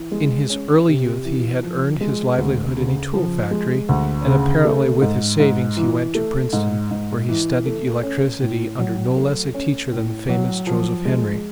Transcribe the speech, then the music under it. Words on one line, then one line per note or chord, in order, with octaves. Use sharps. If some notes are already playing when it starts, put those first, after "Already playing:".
In his early youth he had earned his livelihood in a tool factory; and, apparently with his savings, he went to Princeton, where he studied electricity under no less a teacher than the famous Joseph Henry.
Already playing: E3
G#3
C#4
C3
E3
F3
G#3
D2
C#3
F3
G#3
D2
C#3
A3
G#2
G#2
E3
A3
G#2
G#2
E3
A3
C#4
A2
F#3
A3
C#4
A2
F#3
F3
G#3